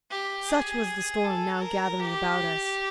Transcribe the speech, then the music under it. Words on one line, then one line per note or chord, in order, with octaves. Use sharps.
Such was the storm now gathering about us.
G4
G#4
A4
A#4
G4